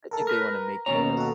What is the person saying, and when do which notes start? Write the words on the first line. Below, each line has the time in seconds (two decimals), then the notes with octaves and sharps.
I think they wanna make the
0.11 A4 A#4
0.27 A#4 B4 A#5
0.86 D#2 B2 C#4 A#5
1.17 F#4 A4